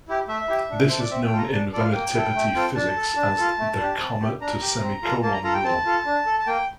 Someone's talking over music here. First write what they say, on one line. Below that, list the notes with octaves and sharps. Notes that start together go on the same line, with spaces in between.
This is known in relativity physics as the "comma to semi-colon rule".
E4 G4
A3 E5
E4 G4
D4
A4 C5
D5
C4 E5
G5
F4 A4
A#5
D4 A5
F4 A4 D5
F5
A#3 G5
E4 A4
A3
C4 F4 A4
D4 A5
A4
D4
F4 A4
A3
D4 G4
C4
G4
D4 A#5
G4
C4
F4 A4
A#3 A5
A#5
F4 A4 A#5
G5
C4 A5
F4 A4
D4
A4
A5
A#3 G5